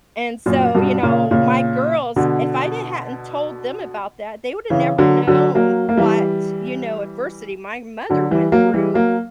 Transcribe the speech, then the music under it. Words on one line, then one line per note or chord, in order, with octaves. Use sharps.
and so, you know, my girls, if I didn't hadn't told them about that, they woulda never known what, you know, adversity my mother went through
F#2 A#2
G2 B2
A#2 C#3
A#2 C#3
B2 D3
C#3 E3
D3 F#3
D3 F#3
F#3 A#3
A#3
E3 G3
D3 F#3
E3 G3
F#3 A#3
E3 G3
F#3 A#3